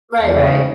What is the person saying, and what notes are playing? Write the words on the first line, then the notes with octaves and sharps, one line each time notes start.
Right, right.
E2
C#3